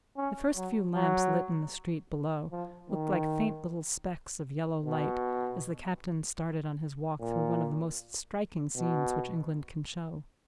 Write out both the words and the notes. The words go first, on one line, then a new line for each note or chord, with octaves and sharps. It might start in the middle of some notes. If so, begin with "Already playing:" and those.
The first few lamps lit in the street below looked like faint little specks of yellow light, as the captain started on his walk through one of the most striking scenes which England can show.
C#4
F#3
F#3
F3
D#3
B2
A#2
B2